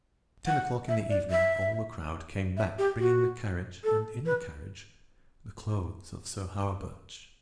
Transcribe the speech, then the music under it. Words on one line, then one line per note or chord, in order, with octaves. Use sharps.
At ten o'clock in the evening all the crowd came back, bringing the carriage, and in the carriage the clothes of Sir Hawerburch.
F#5
E5
D5
E5
E5
G4
F#4
A4
B4